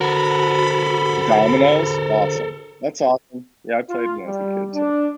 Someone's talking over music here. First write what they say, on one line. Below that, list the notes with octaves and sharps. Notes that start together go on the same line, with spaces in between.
Dominoes? Awesome. That's awesome. Yeah, I played when I was a kid too.
D3 F#4 A4 A#4 C5 B5
F4
G3
D4